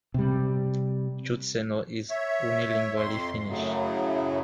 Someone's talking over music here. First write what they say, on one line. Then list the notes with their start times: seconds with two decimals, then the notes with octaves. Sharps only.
Joutseno is unilingually Finnish.
0.14 C3 G3
2.10 C#5 E5
2.97 F2 C6
3.48 F#2 A2 C#3 F#3